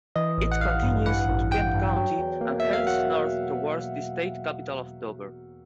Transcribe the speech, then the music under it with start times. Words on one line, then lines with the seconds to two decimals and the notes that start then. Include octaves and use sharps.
It continues into Kent County and heads north towards the state capital of Dover.
0.16 E3 D#5
0.38 A1
0.52 F#5
0.60 A1 F5
0.83 G2
1.06 E3 F#5
1.28 A1
1.51 A1 G5
1.74 G2
1.96 F#3
2.19 E2
2.41 A#3
2.60 B2 E5
2.73 F5
2.87 F#3 F#5